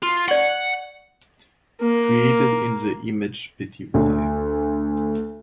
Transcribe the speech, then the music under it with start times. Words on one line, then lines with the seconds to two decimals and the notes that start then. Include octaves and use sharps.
Created in the Image Pty.
0.03 F4
0.28 D5 F#5 C#6
1.81 A#3
3.94 D2